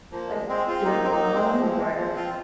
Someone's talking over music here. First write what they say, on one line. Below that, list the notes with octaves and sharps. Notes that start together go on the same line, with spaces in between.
like, doing it alone? Or
F3 A#3
G#3
G#3 C4
C4 F4
A#3 D#4
C4
A#3 D#4
G#3 C4
F3
G#3
F3
C4 F4